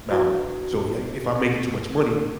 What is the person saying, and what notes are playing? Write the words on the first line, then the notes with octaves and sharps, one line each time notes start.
now, so you I I if I'm making too much money,
D4 E4 F#4 B4